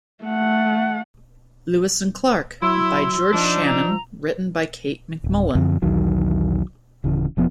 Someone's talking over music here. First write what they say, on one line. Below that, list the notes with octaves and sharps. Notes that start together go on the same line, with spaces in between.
Lewis and Clark, by George Shannon written by Kate McMullan.
A3 F#5
F#3 E4 C6 E6
F3 D4 D#4
A#5
D1
F#2 D3 F3 C4
B1 E2 D#3 F#3
D1 C#3 E3
E1 F3 B3